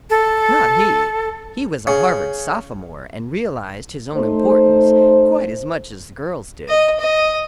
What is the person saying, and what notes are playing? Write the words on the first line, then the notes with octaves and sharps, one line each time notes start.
Not he! He was a Harvard sophomore, and realized his own importance quite as much as the girls did.
A4
C#3
A3 D#4 C5
D#5
D#5